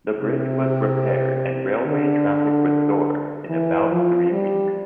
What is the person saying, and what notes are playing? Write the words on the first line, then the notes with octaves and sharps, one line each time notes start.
The bridge was repaired and railway traffic restored in about three weeks.
C3
D3
E3
F3
G3